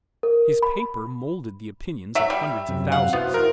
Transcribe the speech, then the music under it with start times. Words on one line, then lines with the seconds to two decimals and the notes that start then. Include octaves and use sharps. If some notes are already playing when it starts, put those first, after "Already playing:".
His paper molded the opinions of hundreds of thousands.
0.23 A#4
0.62 B5
2.15 F#3 E5
2.30 G3
2.69 F#2 C3
2.92 F5 F#5
3.13 B3 E4 F#4 C5
3.34 A#4